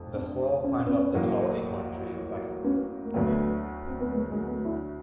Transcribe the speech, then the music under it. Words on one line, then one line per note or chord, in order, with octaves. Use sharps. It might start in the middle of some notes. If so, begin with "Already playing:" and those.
The squirrel climbed up the tall acorn tree in seconds.
Already playing: F1 F2
C4 D4
C#4
C4
B3 C#4
A1 A2 F#3 A#3
B3 C#4
A#3
D2 D3 F#3 A3 B3
C4
B3
G#3 A#3
G#3 A#3
A3 B3
D4 E4